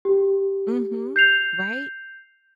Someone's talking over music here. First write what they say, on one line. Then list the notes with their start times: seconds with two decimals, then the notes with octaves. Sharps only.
Mhm. Right?
0.05 G4
1.16 G6 C7 F7